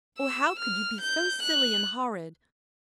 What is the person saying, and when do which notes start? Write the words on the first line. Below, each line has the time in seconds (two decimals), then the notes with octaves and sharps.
Oh, how could you be so silly and horrid?
0.18 E6
0.59 F6
1.01 G6
1.43 F#6